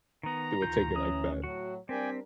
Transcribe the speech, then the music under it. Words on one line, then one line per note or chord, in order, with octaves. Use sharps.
they would take it like that.
D#3 B3 A#5
D2 D#3 F4 G6
E3 C#4 D#6
A2 F#3 F#4
G3 C4 D4 A#4 D5 G5 G#5 B6